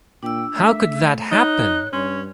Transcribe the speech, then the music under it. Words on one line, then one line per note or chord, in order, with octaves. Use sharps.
How could that happen?
A#2 D4 G5 E6
A3 E5
D#4 C#5 F#6
G2 C#4 C6